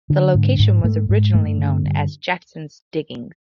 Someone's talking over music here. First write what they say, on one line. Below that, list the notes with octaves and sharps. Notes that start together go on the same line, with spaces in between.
The location was originally known as "Jackson's Diggings".
D3
G#2
G#2
G#2 A3
G#2
G2 A3
D3
G2